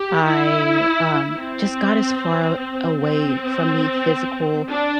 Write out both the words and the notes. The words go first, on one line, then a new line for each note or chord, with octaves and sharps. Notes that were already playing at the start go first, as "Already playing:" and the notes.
I, um, just got as far aw away from the physical,
Already playing: G4
E4
C4
C4
D4